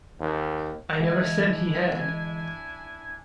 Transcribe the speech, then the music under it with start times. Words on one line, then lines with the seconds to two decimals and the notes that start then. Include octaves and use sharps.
I never said he had.
0.20 D#2
1.00 D3 E3 G#3 D4 E4 D#5 G#5